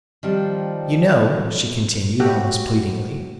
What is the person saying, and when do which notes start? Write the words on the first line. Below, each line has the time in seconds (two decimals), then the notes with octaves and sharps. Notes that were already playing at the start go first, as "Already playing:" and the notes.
"You know," she continued, almost pleadingly.
0.23 D#3 F3 G3 C4 F4
2.20 A3 F#4 G4